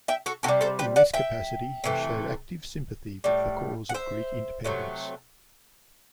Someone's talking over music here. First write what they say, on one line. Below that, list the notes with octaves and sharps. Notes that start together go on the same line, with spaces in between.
In this capacity, he showed active sympathy with the cause of Greek independence.
E5 G5
F#4 A4
C3 F#4 A4
G3
A4 C5
G4 B4
D5 F#5
E5 G5
C3 E3 A3
A2 G3
F#5
C5 E5
C3 F#3 A3